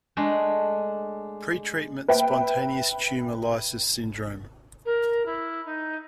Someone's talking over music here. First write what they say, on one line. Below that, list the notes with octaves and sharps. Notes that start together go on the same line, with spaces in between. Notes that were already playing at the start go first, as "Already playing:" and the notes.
Pretreatment spontaneous tumor lysis syndrome.
G#3 A3 D4
B4 E5 G5
A#4
E4
D#4